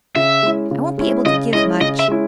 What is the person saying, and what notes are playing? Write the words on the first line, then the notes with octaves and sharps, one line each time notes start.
I won't be able to give much.
C#3 E5
G#3 C#4 E4
C#3
G#3 C#4 E4
C#3 D#5
G#3 C#4 E4 D#5
C#3 D#5
E5
G#3 C#4 E4